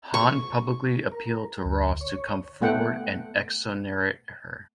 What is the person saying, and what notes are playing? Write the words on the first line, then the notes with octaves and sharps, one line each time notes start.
Han publicly appealed to Ross to come forward and exonerate her.
C#6
A#4
D2
C#5
A3 B3 F#5 G5